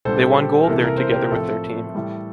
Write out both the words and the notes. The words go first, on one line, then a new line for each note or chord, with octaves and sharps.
They won gold there together with their team.
A#2 G3 D4 A4 C5
A4
G4
A#4
C2 C3 E3 A#3 A4
A#4
C5
G4 A#4
A2 F3 C4 E4 A4
A2 E3 G3